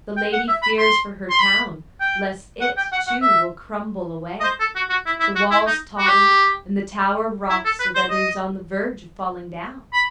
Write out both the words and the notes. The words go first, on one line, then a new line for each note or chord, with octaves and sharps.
The lady fears for her town, lest it, too, will crumble away; the walls totter, and the tower rocks so that it is on the verge of falling down.
G5
F#5
E5
B5
C6
C6
B5
G5
F#5
G5
F#5
F#5
E5
D#5
C5
A4
F#4
F#4
E4
E4
F#4
E4
D#4
F#4
G4
E4
A4
B4
C5
D#5
B5